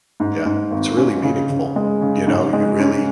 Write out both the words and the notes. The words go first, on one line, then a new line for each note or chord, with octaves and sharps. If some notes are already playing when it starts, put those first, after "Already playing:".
Yeah, it's really meaningful, you know, you really
G#2
G#2
G#1
C#4
C#3
C#3
G#3
C#3
G#2
G#3
C#4